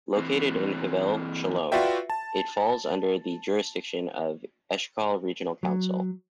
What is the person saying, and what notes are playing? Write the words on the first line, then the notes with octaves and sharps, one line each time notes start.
Located in Hevel Shalom, it falls under the jurisdiction of Eshkol Regional Council.
E3 C4
F4 F#4 B4 D5 E5 G5
A5
F#3